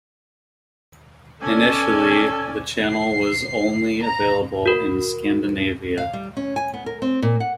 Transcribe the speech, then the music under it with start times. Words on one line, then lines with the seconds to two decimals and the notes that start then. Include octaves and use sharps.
Initially, the channel was only available in Scandinavia.
1.42 C#4 A4 D5 G#5
2.87 C7
4.03 A#5
4.66 F#4 A#4
5.98 F5
6.13 G3
6.37 C#4
6.56 G#5
6.74 B3
6.86 A#4
7.02 C4
7.22 A#2
7.40 F#5